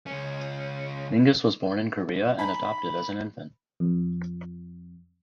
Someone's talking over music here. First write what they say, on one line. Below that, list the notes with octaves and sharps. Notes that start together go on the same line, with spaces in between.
Mingus was born in Korea and adopted as an infant.
C#2 C#4
D#4 G#5 A#5 B5
F2